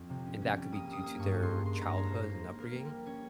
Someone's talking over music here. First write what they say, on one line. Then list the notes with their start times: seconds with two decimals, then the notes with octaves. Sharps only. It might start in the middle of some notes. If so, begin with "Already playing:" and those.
and that could be due to their childhood and upbringing,
Already playing: F2 C4 C#6
0.10 C3
0.26 C#4
0.42 C#4
0.57 G3
0.72 A#3 D#6
0.88 G3 D#6
1.03 A#3
1.19 G2 C#6
1.35 G#3
1.43 C6
1.51 G2
1.66 G#3 C6
1.81 G2 A#5
1.97 G#3 C#5
2.13 A#3 C5
2.28 D#4
2.44 A#3
2.59 A#3 A#4
2.75 G3
2.90 G3
3.06 C#4 C#5